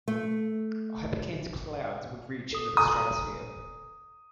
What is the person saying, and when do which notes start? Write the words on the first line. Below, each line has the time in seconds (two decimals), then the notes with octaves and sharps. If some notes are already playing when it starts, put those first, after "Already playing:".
A hypercane's clouds would reach into the stratosphere.
0.08 A3
2.53 A4 D#6
2.77 A4 G#5 A#5 D#6